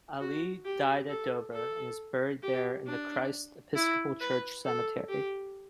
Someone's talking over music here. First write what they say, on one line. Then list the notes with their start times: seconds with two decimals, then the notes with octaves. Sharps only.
Allee died at Dover and is buried there in the Christ Episcopal Church Cemetery.
0.20 F#4
0.65 G4
1.09 A4
1.53 A4
2.43 G4
2.87 D4
3.75 E4
4.21 B4
4.65 A4
5.09 G4